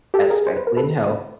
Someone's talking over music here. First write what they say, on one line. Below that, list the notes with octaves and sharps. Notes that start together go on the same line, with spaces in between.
especially in health,
G4 A4
G#4 A#4
C5
B4
A#4
A4 B4